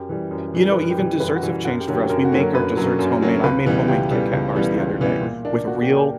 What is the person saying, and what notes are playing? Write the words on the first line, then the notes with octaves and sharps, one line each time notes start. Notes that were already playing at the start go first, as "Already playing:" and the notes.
You know, even desserts have changed for us, we make our desserts homemade, I made homemade KitKat bars the other day with real
Already playing: F#2 G4
E3 G3
F#2
E3 G3
B4
F#2 A#4
G4
E3 G3
F#2 B4
F#4
E3 G3
F#4
F#2 F#4
G4
D3 F#3 A#3 C#4
G4
F#2 A#4
F#4
D3 F#3 A#3 C#4
A#4
F#2 B4
D3 F#3 A#3 C#4
F#2
D3 F#3 A#3 C#4
C#2 B4
C#3 E3 G3 B3
C#2 G4
C#3 E3 G3 B3
C#2
C#3 E3 G3 B3
C#2
C#3 E3 G3 B3
A#2
A#3 D4
A#2 F#4
G4
A#3 D4
G4